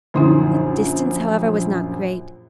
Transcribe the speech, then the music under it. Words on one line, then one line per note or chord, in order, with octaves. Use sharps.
The distance, however, was not great.
A#1 F#2 D3 D#4 E4